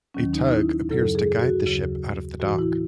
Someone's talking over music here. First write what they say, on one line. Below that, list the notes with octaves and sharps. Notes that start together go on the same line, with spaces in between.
A tug appears to guide the ship out of the dock.
D#2 D#3 F#3 C#4
D#4
D#4
E4
F#2 C#3 F#3 A4
G#4
F#4
D#2 C#3 F#3
A2 E3 F#4
E4